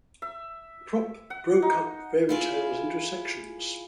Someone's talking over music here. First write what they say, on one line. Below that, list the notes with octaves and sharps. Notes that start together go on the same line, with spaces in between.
Propp broke up fairy tales into sections.
E5
F#5
D#4
E4 F4 G#4